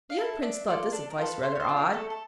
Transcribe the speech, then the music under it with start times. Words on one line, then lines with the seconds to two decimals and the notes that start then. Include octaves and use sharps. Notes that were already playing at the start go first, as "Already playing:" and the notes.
The young prince thought this advice rather odd.
0.10 F5
0.18 E4 A4
0.42 D4 E5
0.68 F4 A4 D5
0.92 D4 A4
1.10 A#4
1.18 F4 A4
1.26 B4
1.43 A3 C5
1.55 C#5
1.60 C5
1.69 D4 F4
1.77 A#4
1.93 A3 A4
2.10 A4